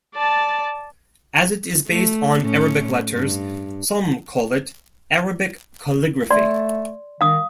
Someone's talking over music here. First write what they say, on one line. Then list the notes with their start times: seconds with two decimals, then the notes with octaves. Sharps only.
As it is based on Arabic letters, some call it "Arabic calligraphy".
0.15 D5 A5
1.89 A3
2.40 A2 C#4
3.12 G2
6.30 A3 D5 C6
7.21 D#3 F5 D#6